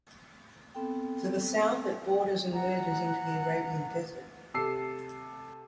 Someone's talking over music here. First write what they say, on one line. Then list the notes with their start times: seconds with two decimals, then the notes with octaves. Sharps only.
To the south it borders and merges into the Arabian Desert.
0.75 B3 C4 A4 G5
2.53 F#5 A#5
4.54 C3 A4 E6 C7